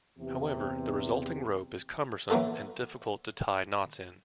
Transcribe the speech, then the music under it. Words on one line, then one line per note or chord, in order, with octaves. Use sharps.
However, the resulting rope is cumbersome and difficult to tie knots in.
E2 C3
E3 F#3 A#3 F4 A4